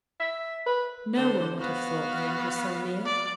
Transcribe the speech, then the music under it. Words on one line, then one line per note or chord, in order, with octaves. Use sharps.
No-one would have thought the end was so near.
E5
B4
D3 C5
B3 F#4 F5
D5